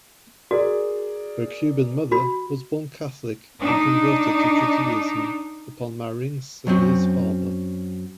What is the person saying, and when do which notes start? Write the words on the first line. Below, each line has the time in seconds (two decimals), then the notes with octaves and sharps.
Her Cuban mother was born Catholic and converted to Judaism upon marrying Sigler's father.
0.51 F#4 G#4 A#4 D5
2.12 F#4 B5
3.60 D4 D#4
6.67 F#2 F#3 C4 C#4